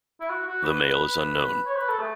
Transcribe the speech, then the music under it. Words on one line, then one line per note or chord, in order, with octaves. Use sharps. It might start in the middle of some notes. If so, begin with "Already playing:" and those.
The male is unknown.
E4
F#4
F#4
B4
B4
C#5
B4
A4
A3